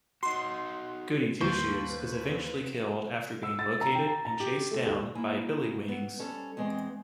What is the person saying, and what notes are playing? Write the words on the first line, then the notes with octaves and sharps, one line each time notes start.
Goody Two-Shoes is eventually killed after being located and chased down by Billy Wings.
D#4 F#4 C6
D#2 B4 C5 C#6
E6
A6
A#5
G5
A#5
A#5
G4
A3
D#2
A#3 E4 G#5
B3
G3 C#4 A4 C5
E2 G#3 C4